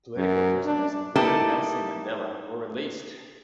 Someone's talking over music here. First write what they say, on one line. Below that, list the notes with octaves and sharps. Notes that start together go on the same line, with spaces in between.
Political prisoners including Nelson Mandela were released.
F#2
D4
A#3 D#4 E4 G4 A4 B4